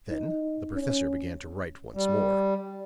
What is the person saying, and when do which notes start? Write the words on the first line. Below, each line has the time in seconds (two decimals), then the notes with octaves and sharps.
Then the professor began to write once more.
0.10 D#4
0.74 C#4
1.95 G3